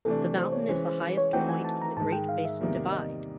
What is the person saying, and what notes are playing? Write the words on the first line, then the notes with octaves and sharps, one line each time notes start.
The mountain is the highest point on the Great Basin Divide.
C3 E3 A3 D4 A4
C5
C#5
E3 G#3 C#4 C5
C5
B4
C#5
E3 A3 C4 D#4 F#4 G5
G#5
A5
A#5
G#2 D#3 G#3 A5
G5
F5
E5
E2 C3 D#3 G3 A#3
D#5